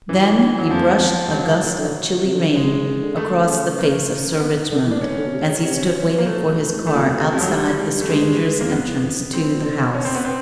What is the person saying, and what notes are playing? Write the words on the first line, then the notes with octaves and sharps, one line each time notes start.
Then he brushed a gust of chilly rain across the face of Sir Richmond as he stood waiting for his car outside the strangers' entrance to the House.
F#2 E3
G#2
G2
F#3
F2 F3
E2
F2
G2 F#3
G#2 F3
F#3
A2
D3
C3
D3
C#3
D#3 G#3
E3
D#3
D3
A3
D3
C#3
A#3
B3
D3
E3
D4
D#3 C#4
D3
B2
C3
C#3
C3 C#4
A#3
B2 A3
A#2
B2
G#2
A2 A3
A#2
B2
C3
C3 F3
F#3
G#2 G3
G2
G#2
G2
A3
G2 G#3
G#2
G2
E2 A#3
F2 B3
E2
F2
F#2
G#2 C4
A#2
D3
C#4
C4
B3
C4